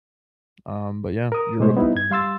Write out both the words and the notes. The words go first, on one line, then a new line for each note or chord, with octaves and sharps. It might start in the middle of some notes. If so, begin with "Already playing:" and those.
um, but yeah, Europe,
A#4 D#6
B2 G#3 A3 C5 C#5
G3 B3 D#4 E4
G2 G#6
G3 F5 C6 E6 A6